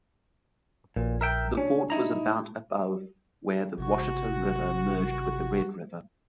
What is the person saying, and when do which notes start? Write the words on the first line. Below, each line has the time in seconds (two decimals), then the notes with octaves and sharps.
The fort was about above where the Washita River merged with the Red River.
0.96 A#1 A#2
1.21 A#4 E5 G5
1.57 C#4 D4
1.90 D#4 E4 A#5
3.78 G#1 C3 F#4 C#6